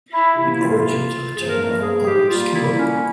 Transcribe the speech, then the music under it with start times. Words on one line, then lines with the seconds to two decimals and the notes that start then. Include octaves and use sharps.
The origins of the term are obscure.
0.12 E4
0.36 C3 E3 A#3 E4
0.52 E4
0.59 F4
1.32 G2 F3 A#3 G#4
1.42 C5
1.48 A#4
1.65 A#4
1.81 G#4
2.05 G4
2.29 A#2 G3 A#3 F4
2.54 E4
2.77 C#4